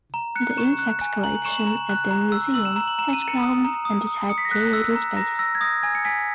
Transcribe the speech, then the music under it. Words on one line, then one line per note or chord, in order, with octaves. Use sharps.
The insect collection at the museum had grown and it had too little space.
A#5
F#6 C#7
C#6 E7
F#6
G#5
A#5 F#7
C#6 E7
F#7
E7
A#5
F#6
A#5
E6
E6 F#7
E7
A#5 E7
F#7
A#5 E7
D#7
A#5
C#7
D#6
A#5
D#6
D#6
D#6 C#7
B6
A#6
F#6 B6
E6
A#5
A#5 A#6
E6 A#6
G#6
D#6 A#6
G#5 G#6
C#7
G#5 B6